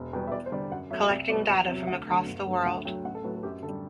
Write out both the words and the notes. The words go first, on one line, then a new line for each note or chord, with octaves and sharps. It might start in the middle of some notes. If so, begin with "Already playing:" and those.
Collecting data from across the world.
Already playing: E1
E2 B2 G3 G5
E5
E2 D5
C5
D3 G3 D5
F#2 F#5
F#3 A3 E5
C2 D5
B2 G3 D5
E2
C3 F#3
E5
D2 F#5
D3 F#3 A3
G1
G2 F#3 A3
D2 F#5
D3 F#3 A3 G5
A1 F#5
A4
A2 F#3 B4
A4
F#2 G4
D3 A4
G3